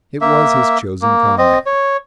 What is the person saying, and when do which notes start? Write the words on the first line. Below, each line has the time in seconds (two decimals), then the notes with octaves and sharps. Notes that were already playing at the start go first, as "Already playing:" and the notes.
It was his chosen comrade.
0.21 A#3 E5
1.02 A#3
1.38 C4 D#5
1.66 C#5